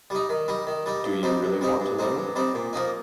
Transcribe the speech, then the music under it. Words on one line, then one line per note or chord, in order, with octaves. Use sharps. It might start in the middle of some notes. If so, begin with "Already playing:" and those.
Do You Really Want To Know?
G3 D#4
D#3
G3 D#4
D#3
G3 D#4
G2
G3 C4 D#4
G2
G3 C4 D#4
G2
G3 C4 D#4
G2
G3 C4 D#4
A#2
F3 A#3 D#4